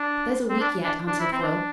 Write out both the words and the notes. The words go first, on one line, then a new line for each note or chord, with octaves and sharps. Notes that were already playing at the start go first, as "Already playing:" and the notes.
"There's a week yet," answered Foyle.
Already playing: D4
C4
D4
D4
D4
E4
C4
D4